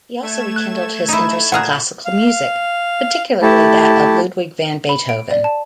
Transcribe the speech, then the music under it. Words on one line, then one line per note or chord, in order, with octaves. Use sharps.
He also rekindled his interest in classical music, particularly that of Ludwig van Beethoven.
A3 G#6 E7
F#6
D#4 E4
A#2 G#4 F#5 A#5 F6 F#6
F5
A3 E4 G4 A5
B5
D7
D5
A5